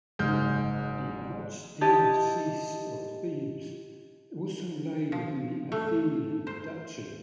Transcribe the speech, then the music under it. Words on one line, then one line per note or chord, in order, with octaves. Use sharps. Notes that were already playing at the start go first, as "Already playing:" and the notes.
The archdiocese of Thebes also lay within the Athenian duchy.
F#1 G#2 G#3 F6 G6
E4 G4 D#5 A5
F3
A3
C5